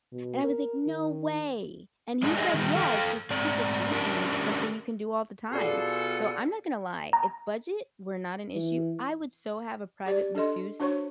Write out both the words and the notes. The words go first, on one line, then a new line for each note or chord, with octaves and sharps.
and I was like, "No way!" And he said, "Yeah, it's just super cheap and something you can do all the time." So I'm not gonna lie, if budget were not an issue, I would so have a private masseuse,
B2
A#4
D#3
G#3 D4 D#4 G#4
G4 G#4 D#5 E5
D#3 G3
A4 F5 G5
G#2 C4 D5
C#4 D4 G4 A#4
B2 F4 G#4 A4 D5 C7
A#5
E3
G4 D5
D4 A4 D#5 C6
D4 F#4 C5 C#5 C#6